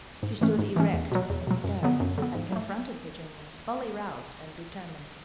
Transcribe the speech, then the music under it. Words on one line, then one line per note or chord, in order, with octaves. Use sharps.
She stood erect and stern and confronted Virginia, fully roused and determined.
G#2
E3 A3 C#4
G#2
E3 A3 C#4
E2
B2 F#3
E2
B2 F#3
F#2
D3 F#3 B3
F#2
D3 F#3 B3
G#2
F#3 A3